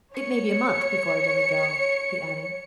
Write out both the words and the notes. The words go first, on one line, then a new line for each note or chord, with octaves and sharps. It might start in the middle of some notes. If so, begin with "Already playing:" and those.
"It may be a month before I really go," he added.
C#5 C#7